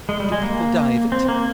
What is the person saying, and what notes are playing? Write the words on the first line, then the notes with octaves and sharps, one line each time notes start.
"Do people die of it?"
G#3
G3
G#3
A#3
C4
A#3